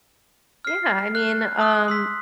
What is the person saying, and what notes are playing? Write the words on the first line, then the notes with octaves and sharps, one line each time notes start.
Yeah. I mean, um,
F6 C7
F#6
D#6 F#6
C6 E6 B6